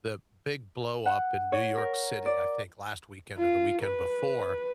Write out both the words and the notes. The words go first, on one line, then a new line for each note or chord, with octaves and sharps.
the big blow up in New York City, I think last weekend or the weekend before,
F#5
C#5
A#4
D5
F4
B4